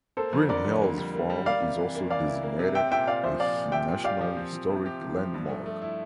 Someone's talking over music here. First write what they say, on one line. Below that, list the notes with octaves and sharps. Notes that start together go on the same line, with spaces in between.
Green Hills Farm is also designated a National Historic Landmark.
A#3 A4 C5
F2
D3 A#4 D5
F2
A#3
G3
A#3
G3
A#3 D5 F5
C3
E3
A#3
E3 D5 F5
E4
A#3
C3
C4 E5 G5
A#2 E5 G5
A#2 D5 F5
F3 C5 E5
A#2 D5 F5
A#2
G4 E5 G5
A#2
G4 D5 F5
F3
C4
F3
C3
G4
F3
F3
G2
A3
A3
E4